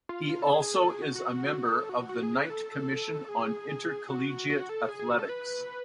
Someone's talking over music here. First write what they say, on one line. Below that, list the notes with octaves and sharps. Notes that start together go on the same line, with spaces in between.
He also is a member of the Knight Commission on Intercollegiate Athletics.
F4
F4
A4
G#4
G#4
A4
G#4
F#4
F#4
A4
F#4
F#4
G#4
G#4
B4
A4
G#4
F#4
F#4
A4
G#4
G#4
F#4
A4
B4